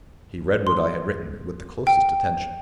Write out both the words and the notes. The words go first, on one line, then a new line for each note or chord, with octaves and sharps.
He read what I had written with the closest attention.
C6
G5